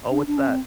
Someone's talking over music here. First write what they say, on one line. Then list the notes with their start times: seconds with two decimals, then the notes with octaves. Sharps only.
Oh, what's that?
0.11 D4
0.27 D4
0.37 C#4
0.49 C4